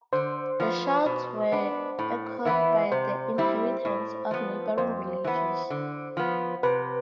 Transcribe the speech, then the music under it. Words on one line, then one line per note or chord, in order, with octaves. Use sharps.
The shouts were echoed by the inhabitants of neighboring villages.
D3 C5
F3 B3
B2
B3 D4
A2
E3 B3 E4
C3 C5
G3 C4 E4
A2
F3 B3
F2 C5
E3 B3
D3
F3 B3
C3 B4